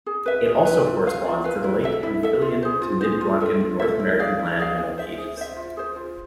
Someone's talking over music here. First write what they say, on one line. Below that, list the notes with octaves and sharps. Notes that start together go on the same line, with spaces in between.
It also corresponds to the late Hemphillian to mid-Blancan North American Land Mammal Ages.
G#4
B4 E5
G#4
B4 E5
F4
B4 F5
F4
B4 F5
E4
A4 E5
E4
A4 E5
F4
G#4 C5
F4
G#4 C5
F4
A4 E5
F4
A4 E5
E4
G#4 D5 F5
E4
G#4 D5 F5
G#4
C5 E5
G#4
C5 E5
F4
G#4 C5
F4